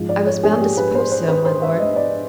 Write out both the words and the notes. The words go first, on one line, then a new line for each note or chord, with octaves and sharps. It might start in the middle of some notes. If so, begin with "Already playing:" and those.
"I was bound to suppose so, my lord."
Already playing: G#2 F3 G#3
D5
C#5
G#4
G4
B4
C5
C5
B4
C5
E5
D#5
D5